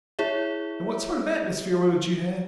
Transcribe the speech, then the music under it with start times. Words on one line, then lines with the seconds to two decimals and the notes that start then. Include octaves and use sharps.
And what sort of atmosphere would you have?
0.19 E4 G#4 C#5 E5